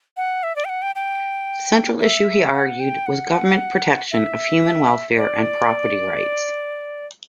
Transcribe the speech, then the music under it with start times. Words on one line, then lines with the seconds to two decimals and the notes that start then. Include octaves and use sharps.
The central issue he argued was government protection of human welfare and property rights.
0.17 F#5
0.43 E5
0.56 D5
0.65 G5
0.69 F#5
0.82 G5
0.95 G5
2.01 E5
2.54 F#5
2.80 G5
3.06 F#5
4.12 E5
5.17 D5